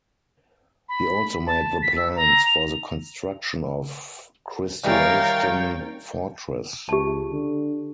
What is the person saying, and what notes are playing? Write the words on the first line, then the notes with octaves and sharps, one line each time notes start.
He also made the plans for the construction of Kristiansten Fortress.
B5
A5
B6
E6
A#5
F7
G2 D#3 E3 A#4 C#5 F5 G5 A6
C#2 G4 A5
D3